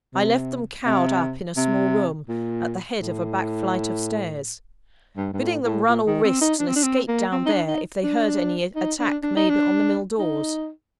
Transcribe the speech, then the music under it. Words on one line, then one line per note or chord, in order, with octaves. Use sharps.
I left them cowered up in a small room, at the head of a back flight of stairs; bidding them run all risks, and escape down there, if they heard any attack made on the mill-doors.
C3
C3
C3
A#2
A2
G2
G2
A2
A2
A#2
D#3
C4
D#4
D4
C4
D4
C4
A#3
C4
D#4
D4
D#4
D4
D#4
D4
D4
D#4
D4
D#4